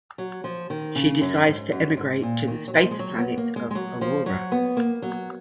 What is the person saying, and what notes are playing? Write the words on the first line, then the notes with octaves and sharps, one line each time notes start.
She decides to emigrate to the Spacer planet of Aurora.
F#3
F3
D#3
C#3
F#2
G#2
F#2
G#2
A#2
D#3
F#3
F3
A#3
G#3
F#3
B3
A#3
G#3
G#3
F#3
F3
F#3
B3
A#3
F#3